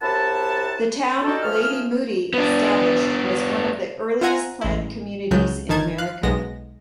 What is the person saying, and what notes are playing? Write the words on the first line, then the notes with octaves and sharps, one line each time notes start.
The town Lady Moody established was one of the earliest planned communities in America.
F#2 C3 E4 F#5 A5
D4 D#4 F#4 G4 A4
E3 F3 G#4 F6
B3 D4
F4 C5 E5 F#5 G#5 A#5
A1 E4
C#2 C#3 F#3 G#3 A5 G6
G1 D#3 D#4 A5 G#6
F5 F#6
B1 G#3 B3 A#6